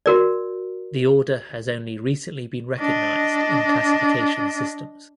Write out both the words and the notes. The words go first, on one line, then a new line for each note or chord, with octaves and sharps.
The order has only recently been recognized in classification systems.
F#4 A#4 D5
D4 D#5